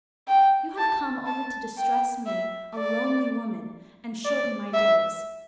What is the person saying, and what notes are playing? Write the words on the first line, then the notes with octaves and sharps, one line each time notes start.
You have come only to distress me, a lonely woman, and shorten my days!
G5
A5
A5
G5
E5
D5
D5
E5